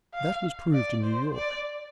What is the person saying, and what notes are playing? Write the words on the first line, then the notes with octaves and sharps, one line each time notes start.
That was proved in New York.
F5
D5
C5
D5